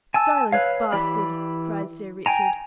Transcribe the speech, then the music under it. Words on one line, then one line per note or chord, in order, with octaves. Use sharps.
"Silence, bastard!" cried Sir Richard.
G#5 A5 E6
B4 C#5 F5
E3 G4 D5 B5
G5 G#5 A#5